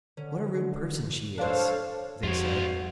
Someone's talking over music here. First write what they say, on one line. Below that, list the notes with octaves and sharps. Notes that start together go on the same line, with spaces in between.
"What a rude person she is!" they said.
D3 C#4
D4 A4 C5 C#5 F5
F2 F4 F#4 C#5